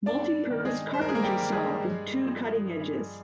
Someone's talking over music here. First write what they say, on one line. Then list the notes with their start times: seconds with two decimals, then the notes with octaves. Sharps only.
Multi-purpose carpentry saw with two cutting edges.
0.06 G2 D4 D5
0.50 D#3
0.65 G#3 G#4
0.94 G2 C5
1.01 A#4
1.09 G#4
1.15 A#3 A#4
1.23 G3 G4
1.37 D#3
1.52 G#3 G#4
1.81 G2
2.24 F3
2.68 G2